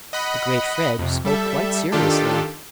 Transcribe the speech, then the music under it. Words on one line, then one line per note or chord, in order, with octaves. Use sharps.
The great Fred spoke quite seriously.
D#5 F#5 B5
F2 C3
G3 A4 E5
D#3 D4 F4 G4 A4